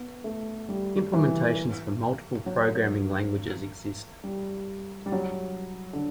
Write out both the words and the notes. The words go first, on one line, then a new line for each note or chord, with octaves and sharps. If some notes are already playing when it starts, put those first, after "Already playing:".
Implementations for multiple programming languages exist.
Already playing: B3
A3
G3
E3
F#3
G3
G3
F#3
D3